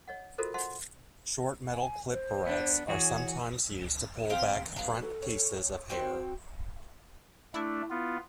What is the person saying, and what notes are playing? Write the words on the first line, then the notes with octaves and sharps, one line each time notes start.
Short metal "clip" barrettes are sometimes used to pull back front pieces of hair.
C#5 D#5 F#5
F4 F#4 A4 A#4 C5 D#5
C5 D#5 E5 F#5 A5 C6
G#5
C5
B3 D4
E3 F#4 G#4 C#5
C4 G4 F5
F#3 B3 F5
A4
C#5
C4 F#4 C5 G5
A3 D4 E4
B3 F4